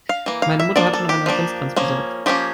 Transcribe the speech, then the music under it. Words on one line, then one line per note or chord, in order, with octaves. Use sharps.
Meine Mutter hat schon einen Adventskranz besorgt.
F5
E3 A#3
F5
E5
F3 A#3 D4 D5
A4
G4
F3 A#3 D4
F3 A#3 C#4
F3 A#3 C#4 G4